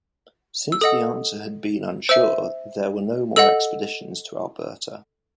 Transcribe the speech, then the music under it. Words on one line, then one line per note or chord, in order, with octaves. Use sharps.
Since the answer had been unsure, there were no more expeditions to Alberta.
E6
A4 D#5 F#5 D#6
C5 E5 E6
A4 D#5 F#5 E6